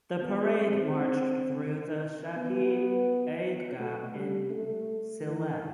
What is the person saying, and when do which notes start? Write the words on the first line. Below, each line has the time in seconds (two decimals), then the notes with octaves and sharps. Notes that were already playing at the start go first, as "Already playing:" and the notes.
The parade marched through the Shahi Eidgah in Sylhet.
0.22 B3
0.58 C4
2.37 B3
3.79 A3
4.15 G3
4.51 A3
5.21 E3